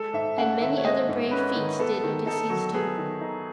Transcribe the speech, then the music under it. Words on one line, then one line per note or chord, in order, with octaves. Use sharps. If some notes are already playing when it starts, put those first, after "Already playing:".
And many other brave feats did Odysseus do.
Already playing: G#3 A4
G#2 E5
C#4 F#5
D#3 E5
C#5
G#3 D#5
G#2
C#4 B4
D#3
B3 A4
D#3
D#4 A4
F#3
B3 G#4
D#3
D#4